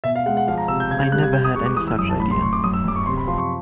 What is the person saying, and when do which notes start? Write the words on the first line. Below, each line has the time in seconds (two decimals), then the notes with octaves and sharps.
I never had any such idea.
0.04 B2 E5
0.15 F5
0.26 G#3 F#5
0.37 F#5
0.47 F3 F5
0.58 A#5
0.68 C3 E6
0.80 G6
0.90 C#3 G#6
1.01 G6
1.12 G3 F#6
1.23 G#6
1.33 C3 G6
1.45 D#6
1.55 G#3 C#6
1.66 D6
1.77 E3 D#6
1.88 E6
1.99 F#2 D#6
2.10 A5
2.20 A2 B5
2.31 C6
2.42 A2 C#6
2.53 D6
2.64 F#2 D#6
2.74 E6
2.85 F#2 D6
2.96 C#6
3.06 C3 C6
3.17 B5
3.27 F3 C6
3.38 C#6